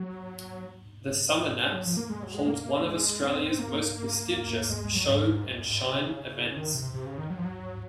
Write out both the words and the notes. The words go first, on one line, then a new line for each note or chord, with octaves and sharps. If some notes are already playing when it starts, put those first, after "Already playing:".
The Summernats holds one of Australia's most prestigious Show and Shine events.
Already playing: F#3
G#3
F#3
F3
A#3
G#3
F#3
G#3
A#3
G#3
C4
A#3
A#3
G#3
G#3
F#3
G#2
F#2
F#2
G#2
C3
C3
C#3
C#3
D#3
C3
C3
C#3
D#3
F#3
F3
F#3